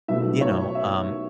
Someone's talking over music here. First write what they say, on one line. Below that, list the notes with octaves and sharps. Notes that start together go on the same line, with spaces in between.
you know, um
B1 B2 A3 E5
C#5
E5